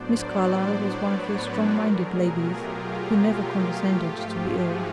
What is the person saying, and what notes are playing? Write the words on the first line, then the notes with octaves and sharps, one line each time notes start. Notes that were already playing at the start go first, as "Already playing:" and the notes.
Miss Carlyle was one of your strong-minded ladies, who never condescended to be ill.
Already playing: A2 F#3 B3 D4 C5 D5
B4 C#5
A#4 C5
B2 F#3 A3 G#4 A#4
F4 G4
F4 G4
G#2 F3 A3
F#4 G#4